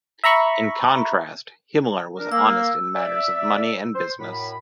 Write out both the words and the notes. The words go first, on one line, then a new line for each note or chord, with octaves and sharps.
In contrast, Himmler was honest in matters of money and business.
E5 A#5 B5 C#6
D4 A#4
A#3 E6
D5 E5
C5
F#2 A2 B5